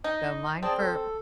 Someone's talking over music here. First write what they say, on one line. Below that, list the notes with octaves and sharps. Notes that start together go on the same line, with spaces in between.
go mine for
D#4 D#5
C4 G#4 D5 A5
A4